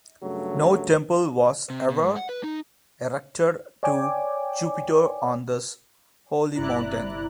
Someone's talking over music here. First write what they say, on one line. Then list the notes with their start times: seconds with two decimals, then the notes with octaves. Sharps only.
No temple was ever erected to Jupiter on this holy mountain.
0.22 G2 C#3 F#3 A3
1.70 C3
1.90 B2
2.02 G#2
2.17 F#5
2.29 B4
2.44 D#4
3.83 C#5 D5 G5 G#5 D6
6.56 G1 C3 E4 D5 A#5 F#6